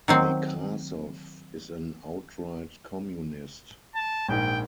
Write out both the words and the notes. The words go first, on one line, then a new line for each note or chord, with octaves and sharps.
Nekrasov is an outright communist...
D#3 F#3 C4
A5
A#1 G#2 G5